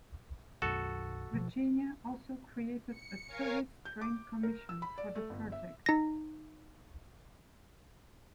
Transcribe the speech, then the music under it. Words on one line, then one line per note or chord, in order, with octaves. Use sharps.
Virginia also created a "Tourist Train Commission," for the project.
B1 F#2 F#4 A4
B2 F3
C#7
A#4 C#5 F5 G#5
G6
D6
A#4
E6
B5
D5
A3
G1
E5
D#4 A#6